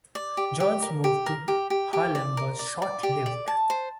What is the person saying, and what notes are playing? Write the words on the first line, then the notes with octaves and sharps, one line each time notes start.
Jones's move to Harlem was short-lived.
D5
G4
G4
A#4
G4
A#4
G4
G4
G4
D5
A#4
D5
D5
G4
D5
A5
C5